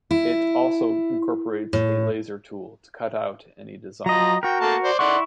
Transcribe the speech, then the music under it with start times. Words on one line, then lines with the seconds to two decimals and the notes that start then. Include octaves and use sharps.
It also incorporates a laser tool to cut out any design.
0.11 E4
1.73 A2
4.06 F3 F#3 D#5 A#5
4.43 F#4 A#4 G5
4.61 A3 A#3 A5
4.83 C5 D5
4.99 E4 D5 F#5 C6 C#6